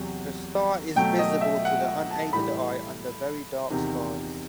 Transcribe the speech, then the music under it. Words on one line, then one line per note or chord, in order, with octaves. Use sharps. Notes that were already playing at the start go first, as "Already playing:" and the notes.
The star is visible to the unaided eye under very dark skies.
Already playing: E2 C3 F#3
B2 F#3 A3 G5
D#5
E5
F#5
A5
A2 E3 G3 B5
E2 C3 D#3